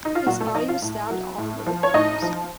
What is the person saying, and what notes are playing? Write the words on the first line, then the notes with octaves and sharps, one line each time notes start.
His body was stabbed all over with knives.
D#4
F4
A#2 F#3 F#4
A3 A4
F3 D#4 D#5
F4 F5
A2
F#3
A2
F3
C#5
A2 D#4 D#5
F3